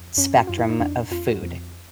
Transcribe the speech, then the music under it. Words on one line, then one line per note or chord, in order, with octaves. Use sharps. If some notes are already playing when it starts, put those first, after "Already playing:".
spectrum of food.
Already playing: F2
F#2 C#4
F#4
F#2 F4
E4
D#4
F2 D4
F2 F4
F#4
F2